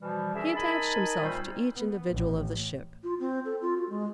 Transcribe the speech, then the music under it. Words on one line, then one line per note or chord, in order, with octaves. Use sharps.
He attached himself to each individual of the ship.
B2 E3 F3 G3
C#4 G#4 A#4 E5
D#4 A#4 D#5 G#5 A5 B5
A#2 G3 A3 C4 C5
B3
A1
F4
C4
A4
F4
F#4
G#3